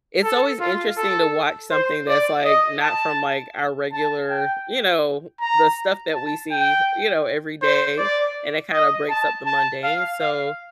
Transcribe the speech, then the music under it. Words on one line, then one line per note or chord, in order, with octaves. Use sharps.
it's always interesting to watch something that's, like, not from, like, our regular, you know, the stuff that we see, you know, every day, and it kinda breaks up the mundane, so
A4
F4
A4
C5
D5
D#5
A5
A5
G5
A#5
A5
G5
C5
D5
D#5
A5
A5
F5
F5